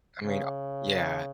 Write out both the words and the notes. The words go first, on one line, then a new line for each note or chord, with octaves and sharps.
I mean o yeah.
C#3